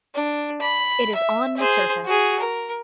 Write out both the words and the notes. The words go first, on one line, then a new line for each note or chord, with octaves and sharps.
It is on the surface.
D4
B5
E5
G#4 C5
F#4 G#4
A#4